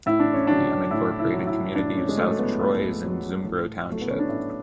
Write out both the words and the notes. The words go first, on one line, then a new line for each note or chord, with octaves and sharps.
The unincorporated community of South Troy is in Zumbro Township.
A2 E4
D4
C#4
F#3 D4
A2 E4
E4
F#3
E4
A2 D4
C#4
G#3
F#3 A3
B3
A2 B3
F#3
A2
F#3 A3
B3
C#4
D4
A2 E4